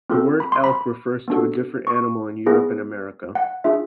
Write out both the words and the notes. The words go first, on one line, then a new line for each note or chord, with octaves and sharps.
The word "elk" refers to a different animal in Europe and America.
C4 F4 A4
B5
C6
B5
B3 D4 F#4 A4
C#6
B3 E4 G#4
F#5
D4 F4 G#4 E5